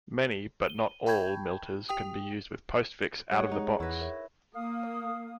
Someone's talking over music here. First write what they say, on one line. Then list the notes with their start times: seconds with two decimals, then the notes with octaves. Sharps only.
Many, but not all, milters can be used with Postfix "out of the box".
0.67 D#7 G7
1.06 G5 A5 B5 C#6 G6 G#6
1.89 G4 G5 D#6
3.32 G3 G4 G#4 C#5 F#5
3.51 G#3 D#4
3.67 G#4 F#5
3.80 E2 E4 B4 C#6 G#6 A#6
4.01 A#4 C#5 E5
4.55 A#3 F5 D#6